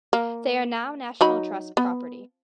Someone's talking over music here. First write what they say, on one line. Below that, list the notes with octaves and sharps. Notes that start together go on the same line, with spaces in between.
They are now National Trust property.
A#3
F#3 D#4 B5
B3